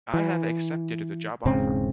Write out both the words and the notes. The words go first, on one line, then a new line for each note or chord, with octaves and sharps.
I have accepted the job offer.
E3
E1 G#2 C#3 C4